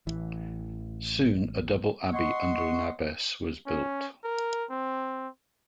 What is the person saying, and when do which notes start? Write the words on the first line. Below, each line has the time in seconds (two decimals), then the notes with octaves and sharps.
Soon a double abbey under an Abbess was built.
0.07 A1 E3
2.14 D#5 F#5 C6 C#6
3.67 C#4
4.24 A#4
4.70 C4